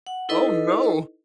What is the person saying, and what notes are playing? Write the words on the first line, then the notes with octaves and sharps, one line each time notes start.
Oh, no!
F#5
D#4 E4 A4 B4 D#5